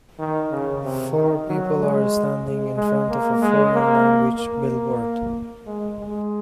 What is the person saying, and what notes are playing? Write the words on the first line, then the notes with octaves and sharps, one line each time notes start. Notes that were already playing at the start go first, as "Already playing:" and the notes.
Four people are standing in front of a foreign language billboard.
D#3
C#3
C3
D#3
F#3
G#3
G#3
G#3
A#3
G#3
A#3
A#3
G#3
G#3